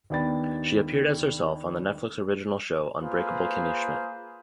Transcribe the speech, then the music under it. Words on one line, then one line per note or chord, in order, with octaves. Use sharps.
She appeared as herself on the Netflix original show, "Unbreakable Kimmy Schmidt".
D#2 B3 D4 G5 B5 A6
A#3 F4 G#4 B4 C5